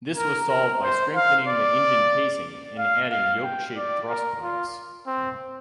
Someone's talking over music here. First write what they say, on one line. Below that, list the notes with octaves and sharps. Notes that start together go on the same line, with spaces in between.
This was solved by strengthening the engine casing and adding yoke-shaped thrust links.
A#4
A#4
C5
F5
D5
F5
F5
G5
D5
A#4
F4
C4